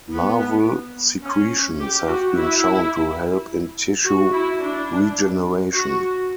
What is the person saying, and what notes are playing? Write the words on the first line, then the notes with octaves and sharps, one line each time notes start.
Larval secretions have been shown to help in tissue regeneration.
B3
C#4
G4
F#4
E4
F#4
E4
D4
F#4